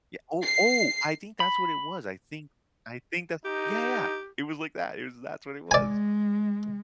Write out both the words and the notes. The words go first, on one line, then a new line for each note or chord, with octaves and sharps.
Ye oh! Oh! I think that's what it was. I think I think that yeah, yeah. It was like that it was that's what it was.
C7
B5
D#4 G4
G#3 D5 G#5